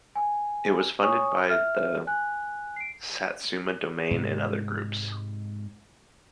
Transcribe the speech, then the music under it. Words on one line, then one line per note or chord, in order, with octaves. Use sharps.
It was funded by the Satsuma Domain and other groups.
G#5
C#5 G#5 C#6 D#6
E5 F6
G#5 F#6
C7 D7
G#2 C3 G#3